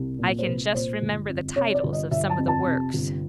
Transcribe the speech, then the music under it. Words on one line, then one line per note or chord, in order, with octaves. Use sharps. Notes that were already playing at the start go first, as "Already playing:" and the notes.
I can just remember the titles of some of the works.
Already playing: C2
A#2
C5
C2 B4
A#2 C5
G1
F2
C3 C#5
C#5
D5
G1
D#5
G1 E5
A5
F2
A5
C3
G1